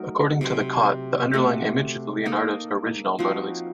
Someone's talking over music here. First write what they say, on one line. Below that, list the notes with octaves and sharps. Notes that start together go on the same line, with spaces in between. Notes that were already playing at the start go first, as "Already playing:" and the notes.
According to Cotte, the underlying image is Leonardo's original Mona Lisa.
Already playing: F#3 A3 D#4 A#4
C3 F#3 C4
A3 C4 F#4
A#3 D#4 A4
F3 C4 D#4 F#4